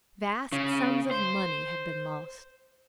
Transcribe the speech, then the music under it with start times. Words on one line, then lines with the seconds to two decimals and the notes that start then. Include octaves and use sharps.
Vast sums of money have been lost.
0.52 C#3
1.11 C5